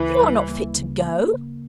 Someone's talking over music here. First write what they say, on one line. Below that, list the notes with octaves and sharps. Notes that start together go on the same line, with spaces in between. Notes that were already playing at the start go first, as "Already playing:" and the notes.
'You are not fit to go.
Already playing: D2 C#3 E3 A#3
G3
A#3
C#3
A#3
C#3